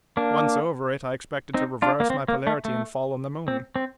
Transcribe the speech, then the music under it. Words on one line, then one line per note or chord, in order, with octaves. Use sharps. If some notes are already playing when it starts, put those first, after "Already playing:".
Once over it, I expected to reverse my polarity and fall on the moon.
A#3 D4
C4 D#4
D4 F4
A#3
C4
A#3
A3
A3
C4
C4